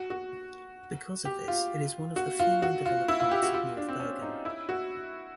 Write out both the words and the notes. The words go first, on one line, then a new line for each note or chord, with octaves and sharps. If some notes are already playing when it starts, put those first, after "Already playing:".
Because of this, it is one of the few undeveloped parts of North Bergen.
Already playing: F#4
F#4
G4
F4
F#4
F4
F#4
F4
E4
F4
G4
F#4
F4
D4
C4
C#4
D#4
E4
F#4